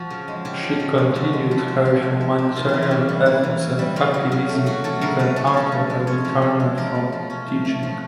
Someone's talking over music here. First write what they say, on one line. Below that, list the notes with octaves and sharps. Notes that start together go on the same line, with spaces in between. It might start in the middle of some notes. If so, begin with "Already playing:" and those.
She continued her humanitarian efforts and activism even after her retirement from teaching.
Already playing: F3 F#4
C#3
G#3
C#3 G4
F3
C#3
G#3
F3 F#4
G#3
F3
C4
F3
G#3
F3
C4
A#3 F4
E3 E4
F4
C#3
G3
A#3 E4
E3
C#3
G3
C#3 F4
F#3
C#3
A3
C#3 F#4
F#3 A4
C#3 A#4
A3 B4
C#4 A4
G#4
F3 A4
C#3
G#3
C#4 C#5
F3
C#3
G#3
F3 A#4
A3
F3
C#4
F3
A3
F3